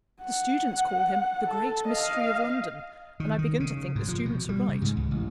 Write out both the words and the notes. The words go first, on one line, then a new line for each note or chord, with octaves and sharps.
The students call him 'The Great Mystery of London;' and I begin to think the students are right.
F#5
A4
D#5 F5
D#3
D#3
C#3
G#2
F3
B2
G3
C#3
G#2
C#2
A1